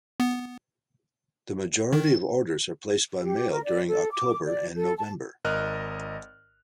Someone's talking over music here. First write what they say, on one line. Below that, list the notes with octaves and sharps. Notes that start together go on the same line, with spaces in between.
The majority of orders are placed by mail during October and November.
B3
D#3
G4
A#4
D5
A4
D6
D5
A4
A5
G#1 A#4 D#5 F6 F#6